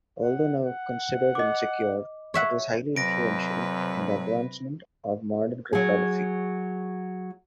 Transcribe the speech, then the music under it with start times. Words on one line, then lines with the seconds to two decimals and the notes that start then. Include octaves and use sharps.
Although now considered insecure, it was highly influential in the advancement of modern cryptography.
0.23 F#5
0.63 F#5
1.35 D#5 D6
2.34 C#5 E5 F#5
2.96 F2 C3 F#3 B4 A#6 D7
5.73 F#3 G#4